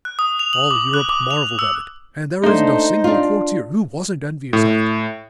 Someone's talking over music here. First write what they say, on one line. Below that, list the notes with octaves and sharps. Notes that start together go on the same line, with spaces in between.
All Europe marveled at it, and there isn't a single courtier who wasn't envious of it.
F#6
D#6
F7
F#7
D6
F#6
D6
F7
E6
A3 A#3 D4 D#4 C5
D4 F4
A2